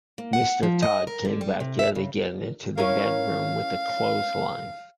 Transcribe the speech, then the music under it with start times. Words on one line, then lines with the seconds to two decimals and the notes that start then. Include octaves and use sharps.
Mr Tod came back yet again into the bedroom with a clothes line.
0.18 A#3
0.33 F#5
0.63 F3
0.83 D#5
1.07 A#4
1.25 D3
1.41 G3
1.60 C3
1.79 E5
1.95 C#3
2.78 C#4 E4 A#4 F5